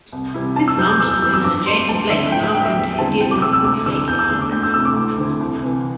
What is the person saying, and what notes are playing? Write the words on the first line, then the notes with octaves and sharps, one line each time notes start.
This mountain and an adjacent lake are now home to Indian Mountain State Park.
C2
C3 G3 E4
C3 A5
E6
G3 C4 E4 G6
D6
E2 E6
G6
E3 G3 C4 E6
E6
G2 D6
G3 C4 C6
D2 A5
D3 C4 E4 E5
A2 G5
E5
G3 D4 G5
E5
E2
D3 C4 E4 A5
C2 G5
D6
C3 A3 C4 E6
E6
D2 D6
D3 A3 C4 E4 E6
E2 G6
E6
D3 A3 D4
D6
D2 G6
E6
C3 A3 E4 E6
D6
D2
D3 C4 E4
C2
C3 E3